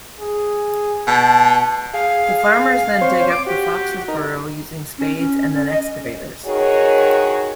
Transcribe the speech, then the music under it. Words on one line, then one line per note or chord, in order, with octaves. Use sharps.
The farmers then dig up the Foxes' burrow using spades and then excavators.
G#4
B2 A5
G#4 F5
C4 C5 C#5
D6
F#4 G4
D#4 A#4
C#4
C#4
C#4
D#5
D#3 F#4 G#4 C#5